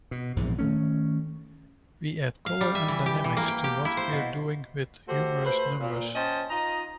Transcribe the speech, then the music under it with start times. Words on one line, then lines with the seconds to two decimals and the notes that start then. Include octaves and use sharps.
We add color and dynamics to what we're doing with humorous numbers.
0.11 B2
0.36 A#1 E2 G#2 C3
0.59 D#3 A3 C#4
2.46 F5
2.61 G3
2.75 E5
2.88 E3
3.06 G4
3.24 E3
3.37 A#3
3.48 G5
3.64 G4
3.85 E4
3.97 C5
4.12 B2
5.08 A3 F#4 G4 C5
5.45 A3 B4 C5
5.80 A#2
6.15 C#4 C5 D#5 G5 A5
6.50 D#4 F4 D#5 A#5